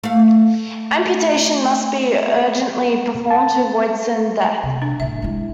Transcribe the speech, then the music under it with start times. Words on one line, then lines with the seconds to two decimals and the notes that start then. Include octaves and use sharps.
Amputation must be urgently performed to avoid certain death.
0.03 A3 F5
3.30 A5
4.63 C3
4.82 D4
5.00 D2 A2 E5
5.22 G#3 E4